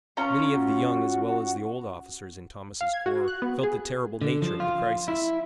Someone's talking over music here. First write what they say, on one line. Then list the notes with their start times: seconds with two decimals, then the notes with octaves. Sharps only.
Many of the young as well as the old officers in Thomas' corps felt the terrible nature of the crisis.
0.17 C#4 F4 A#5
0.54 F#4
2.81 F5
2.93 G#6
3.06 F#4
3.28 F#6
3.42 B3
3.63 G#4
4.22 D3
4.42 F3
4.60 F4
5.08 E4